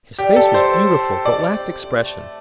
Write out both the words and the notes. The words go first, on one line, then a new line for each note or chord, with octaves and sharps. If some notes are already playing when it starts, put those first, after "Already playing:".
His face was beautiful, but lacked expression.
G3 G4
A4
A2
C5
A2
A3
C3 D5
G4
C4
A3